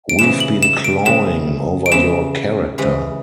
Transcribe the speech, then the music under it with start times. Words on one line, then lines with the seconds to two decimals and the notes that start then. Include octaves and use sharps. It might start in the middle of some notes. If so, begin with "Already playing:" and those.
We've been clawing over your character.
0.09 D7
0.19 C#3 E3 G#3 E7
0.40 F#7
0.63 E7
0.84 D7
1.05 C#3 E3 G#3 E7
1.86 D7
1.92 C#3 E3 G#3 E7
2.78 C#3 E3 G#3